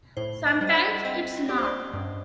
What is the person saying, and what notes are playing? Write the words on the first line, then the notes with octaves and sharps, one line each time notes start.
Sometimes it's not.
A2 C5
D#5
G3
D#5
F#5
C4 D#5
G4 D5
C5
D5
G2